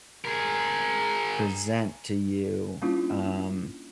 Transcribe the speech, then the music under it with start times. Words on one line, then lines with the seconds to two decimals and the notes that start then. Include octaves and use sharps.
present to you, um,
0.25 G#4 A#4
2.82 G3 A#3 C#4 D4 E4 F4